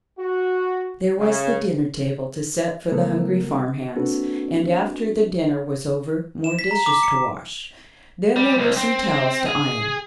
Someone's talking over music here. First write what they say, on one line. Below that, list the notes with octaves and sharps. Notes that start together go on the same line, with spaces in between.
There was the dinner-table to set for the hungry farm-hands, and after the dinner was over more dishes to wash. Then there were some towels to iron.
F#4
C#3
C#3 G3 A3 B3 A4 A#4
A#3 C4 D4 F#4 A4 B4
E7
B6
A#5
D6
C#7
G3
C2
C4
G#4